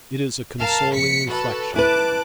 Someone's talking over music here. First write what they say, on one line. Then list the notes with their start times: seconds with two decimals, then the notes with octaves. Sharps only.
It is a consoling reflection.
0.60 A#4 F5 A5
0.94 A#1 B6 C#7
1.28 F#4 A4 B4
1.76 E4 B4 A5 D6 F#6